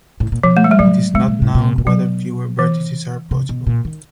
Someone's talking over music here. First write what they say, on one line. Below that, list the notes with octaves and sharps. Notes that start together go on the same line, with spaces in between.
It is not known whether fewer vertices are possible.
A2
A#2
B2 F3
A3
G#3
G3
A2 F#3
B2 G#3
A#2
A2
A#2
A#2
B2 F#3
E3
C3
B2
A#2
D#3